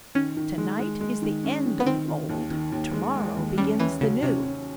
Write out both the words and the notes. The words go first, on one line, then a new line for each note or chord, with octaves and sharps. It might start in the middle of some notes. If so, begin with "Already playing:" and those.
Tonight is the end of the old, tomorrow begins the new!
D#3 C#4
D#3
G#3
G#3
G#3
D#3
C#4
D#3
B3
D#3 C4
D#3
D#2
D#3
D#2
G#3
G#3
D#2
G3 C#4
E3 C#4
C#3 F#3
C3 C#4
C#4